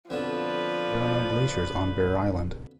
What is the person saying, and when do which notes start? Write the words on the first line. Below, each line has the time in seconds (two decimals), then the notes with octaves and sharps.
There are no glaciers on Bear Island.
0.10 F2 B2 D3 F3 B4 D5